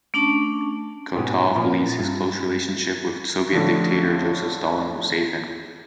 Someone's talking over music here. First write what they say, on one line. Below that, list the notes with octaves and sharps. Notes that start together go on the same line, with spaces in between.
Kotov believes his close relationship with Soviet dictator Joseph Stalin will save him.
A3 C#4 D4 A5 C#6
G#2 B2 B3 C#4 G4 G#4
A#2 F3 B3 A#5
G2
A2 D3 F3